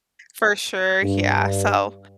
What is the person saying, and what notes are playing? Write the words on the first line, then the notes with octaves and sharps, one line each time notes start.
For sure, yeah, so,
G2